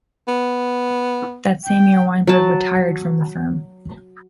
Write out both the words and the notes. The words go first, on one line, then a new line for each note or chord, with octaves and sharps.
That same year, Weinberg retired from the firm.
B3
G5
F#3 A5